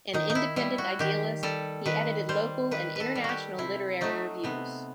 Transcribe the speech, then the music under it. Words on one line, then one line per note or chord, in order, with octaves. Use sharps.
An independent idealist, he edited local and international literary reviews.
D#3 D#4
D#4
E4
G3 E4
F#4
D#3 G4
G3 A4
D#3 B4
G3 C5
D#3 B4
A4 B4
G3
F#4 G4
C3 E4
F#3 A3 D#4
C3 B3